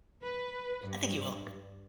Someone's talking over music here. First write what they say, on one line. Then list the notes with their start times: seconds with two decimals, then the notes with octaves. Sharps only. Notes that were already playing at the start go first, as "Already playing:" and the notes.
I think you will.
0.22 B4
0.86 G2